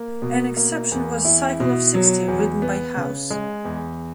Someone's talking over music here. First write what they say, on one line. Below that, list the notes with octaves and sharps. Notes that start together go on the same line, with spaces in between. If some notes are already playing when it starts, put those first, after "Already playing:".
An exception was "Cycle of Sixty", written by Howse.
Already playing: A#3
B2
A#3
E2
E4
B2
F#3
E2
B3
C#3
G#3
E2